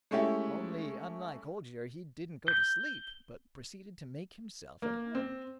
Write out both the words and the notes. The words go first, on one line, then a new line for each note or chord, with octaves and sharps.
Only, unlike Holger, he didn't go to sleep, but proceeded to make himself at home.
G#3 A3 C#4 E4 G4
G6
A#3
C4